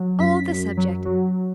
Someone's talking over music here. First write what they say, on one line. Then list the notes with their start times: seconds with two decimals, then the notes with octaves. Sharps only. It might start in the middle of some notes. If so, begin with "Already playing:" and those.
Oh, the subject!
Already playing: F#3
0.19 F#2 B6
0.48 F#2
0.77 F#3
1.05 F#3